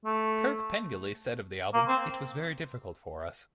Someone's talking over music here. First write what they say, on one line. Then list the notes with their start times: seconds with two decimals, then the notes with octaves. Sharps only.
Kirk Pengilly said of the album, It was very difficult for us.
0.05 A3
1.74 A#3
1.88 C4